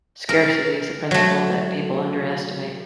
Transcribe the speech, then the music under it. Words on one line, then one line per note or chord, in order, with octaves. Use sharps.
Scarcity is a principle that people underestimate.
A#4
F#3 A3